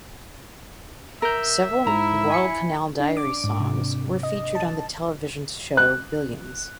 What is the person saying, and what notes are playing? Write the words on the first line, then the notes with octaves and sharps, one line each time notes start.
Several Guadalcanal Diary songs were featured on the television show Billions.
A#4 E5 A#5 G6
G#2 E4 A#5
G#5 B6 C#7
D4
D6
G#2
C3
D#5
A5
F#6